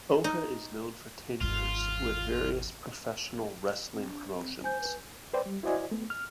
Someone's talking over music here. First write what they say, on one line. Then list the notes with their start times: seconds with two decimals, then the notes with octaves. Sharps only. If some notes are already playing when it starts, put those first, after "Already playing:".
Ohka is known for tenures with various professional wrestling promotions.
0.24 D#4
1.41 G#1 E2 F4
3.92 C4
4.09 D4
4.34 C4
4.64 C5 G#5 G6
4.81 B4
5.33 B4 C5 D5 G5
5.46 G3
5.63 E4 F#4 C5 D5 D#5 G#5
5.91 A3 B3
6.10 F6